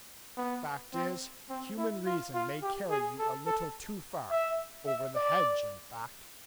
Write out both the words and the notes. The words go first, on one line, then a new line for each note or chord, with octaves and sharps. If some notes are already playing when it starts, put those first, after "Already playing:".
The fact is, human reason may carry you a little too far--over the hedge, in fact.
B3
C4
C4
E4
F4
F4
G4
G#4
A4
A4
E5
E5
D5